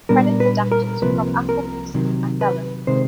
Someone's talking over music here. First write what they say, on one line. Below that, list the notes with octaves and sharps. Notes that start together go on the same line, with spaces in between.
Credits adapted from Apple Music and Melon.
A#2 G3 B3 D4 A#4
B4
A#4
C2 C3 F3 A#3 B4
A#4
C3 D#3 F#3
B4
C3 D#3 G#3 C5